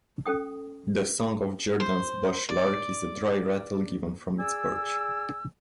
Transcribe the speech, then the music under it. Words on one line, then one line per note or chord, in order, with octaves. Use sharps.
The song of Jerdon's bush lark is a dry rattle given from its perch.
C#4 A4 G5 D#6
C5
D5
G#4 D5 G#5 E6